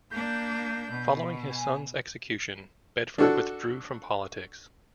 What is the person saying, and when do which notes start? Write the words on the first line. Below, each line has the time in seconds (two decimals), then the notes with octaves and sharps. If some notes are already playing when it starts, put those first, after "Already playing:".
Following his son's execution, Bedford withdrew from politics.
0.11 A#3 D4 G6
0.91 B2
1.50 G#5
3.18 D4 F#4 A4